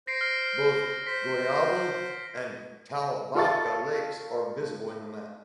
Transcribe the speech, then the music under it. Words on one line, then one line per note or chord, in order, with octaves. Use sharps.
Both Guayabal and Toa Vaca lakes are visible in the map.
C5 A#6 C7 D7
F6
C5 B6
F4 A4 C#6 A6